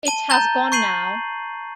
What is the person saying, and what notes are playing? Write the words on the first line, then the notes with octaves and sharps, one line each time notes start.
It has gone now.
A5 D#7 G7
A#5 G6 A6 G7
C#6 G6 C7 D#7 F#7